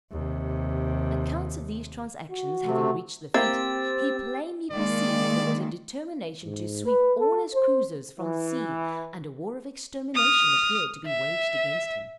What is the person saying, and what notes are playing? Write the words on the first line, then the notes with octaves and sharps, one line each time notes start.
Accounts of these transactions having reached Lafitte, he plainly perceived there was a determination to sweep all his cruisers from the sea; and a war of extermination appeared to be waged against him.
D#2 C3
F#4
C3 A3
A#3 C4 E4 G4 E6 A6
D#3 G#3 A#3 D5
G#2
B4
A4
C5
E3
D#6 F6
E5